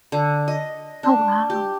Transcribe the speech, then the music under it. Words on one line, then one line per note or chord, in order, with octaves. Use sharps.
Oh, wow.
D3
D#5
D4
G4